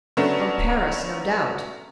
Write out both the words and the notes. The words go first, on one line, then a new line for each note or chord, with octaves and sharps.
From Paris, no doubt.
F#3 A3 B3 C#4 D4